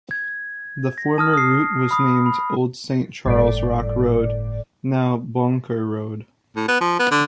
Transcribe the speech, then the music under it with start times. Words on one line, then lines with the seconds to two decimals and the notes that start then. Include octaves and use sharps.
The former route was named Old Saint Charles Rock Road, now Boenker Road.
0.11 G#6
0.98 A#6
1.18 A5 D#6 F6
1.34 D#6 C7
1.91 B5 D#6
2.26 B5
3.25 G1 A2 D5
6.56 A2
6.68 B3
6.81 F3
6.99 B3
7.11 D3